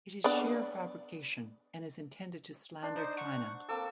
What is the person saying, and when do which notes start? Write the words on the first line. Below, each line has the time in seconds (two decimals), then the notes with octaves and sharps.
It is sheer fabrication and is intended to slander China.
0.24 B3 D4 D5
2.83 D4 C6
2.95 D#4 C5 D6
3.17 F#5 C#6
3.69 A#3 C4 A4 D6 E6